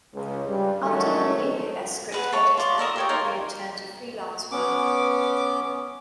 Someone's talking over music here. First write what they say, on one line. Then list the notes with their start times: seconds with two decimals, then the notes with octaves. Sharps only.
After a year as script editor he returned to freelance work.
0.14 C#2
0.47 G2
0.82 D#3 F#3 G#3 A3 C#4
2.12 G#4 B4 F#5
2.32 C#5 A5
2.58 F4 D5
2.78 A4 A#4 E5 D#6
2.96 G4 C#5 G5
3.09 D#4 F4 A#4 G#5
4.52 B3 C#4 D6